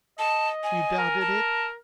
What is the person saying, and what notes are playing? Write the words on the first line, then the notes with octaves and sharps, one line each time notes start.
"You doubted it?"
D#5 A5
G#5
A#4
A5